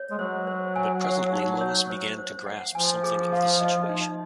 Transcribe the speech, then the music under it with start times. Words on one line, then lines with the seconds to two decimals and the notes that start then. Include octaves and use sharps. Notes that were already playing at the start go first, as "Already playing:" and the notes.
But presently Lois began to grasp something of the situation.
Already playing: C#5
0.11 G#3
0.19 F#3 C5
0.47 C5
0.76 G#5
1.04 F#5
1.33 D#4
1.61 C#5
1.90 C5
2.18 C5
2.46 F#5
2.75 F3 G#5
3.04 G#4
3.32 F5
3.61 D#5
3.89 D#4